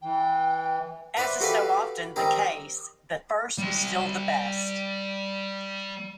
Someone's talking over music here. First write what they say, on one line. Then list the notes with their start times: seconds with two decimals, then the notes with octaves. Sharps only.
As is so often the case, the first is still the best.
0.01 E3 G5
1.17 B4 C5 D5 E5 F#5
1.40 F#4 G4 A4 B4 D5 F5
2.16 D#3 G3 C4 D#4 A#4
3.58 G3 C6